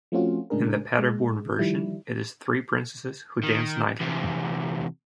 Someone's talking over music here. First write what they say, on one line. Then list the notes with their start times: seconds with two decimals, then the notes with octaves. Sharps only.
In the Paderborn version, it is three princesses who dance nightly.
0.12 F3 A3 C4 C#4 F4 F#4
0.50 A2 C#3 G#3 D4 G#4 A#4
0.98 G#3
1.59 D#3 F3 G3 E4
3.44 D#3
4.01 E2 C3